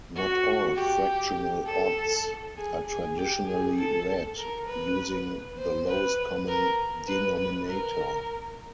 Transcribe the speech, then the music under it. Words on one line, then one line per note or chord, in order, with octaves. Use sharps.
Not all fractional odds are traditionally read using the lowest common denominator.
F#4
G4
A4
G#4
G#4
G4
G#4
A4
A#4
B4
C5
B4
A#4
B4
B4
A#4